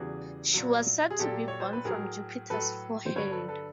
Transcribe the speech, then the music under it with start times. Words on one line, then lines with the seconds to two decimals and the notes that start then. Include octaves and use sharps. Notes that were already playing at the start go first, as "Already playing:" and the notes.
She was said to be born from Jupiter's forehead.
Already playing: E2 C#3 E3 G3 F#4 G#4
0.54 A#2 F#3
1.10 G#4
1.19 A#2 F#3 G4 A4
1.48 C#5
1.60 C5
1.73 B4
1.85 A2 F#3 G#4 A#4
2.50 A2 F#3 A4 B4
3.06 C5
3.16 G2 D3 F#3 B4 C#5
3.31 A4 B4
3.48 A4 B4